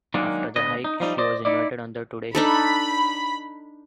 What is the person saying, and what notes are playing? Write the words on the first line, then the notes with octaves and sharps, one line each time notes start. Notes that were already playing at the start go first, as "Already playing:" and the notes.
After the hike she was invited on the "Today Show".
D#3 F#3 G#3 A#3 D4
D2 B3 D#5
D#4
F3 G3 D#4
C5 D5 D#5
D#4 E4 D5
D4 D#4 A4 B5